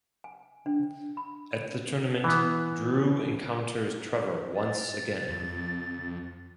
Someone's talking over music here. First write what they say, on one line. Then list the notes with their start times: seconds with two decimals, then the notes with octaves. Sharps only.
At the tournament, Drew encounters Trevor once again.
0.24 G#5
0.66 D4
1.17 B5
2.24 E3 B3
4.55 A6
5.29 F2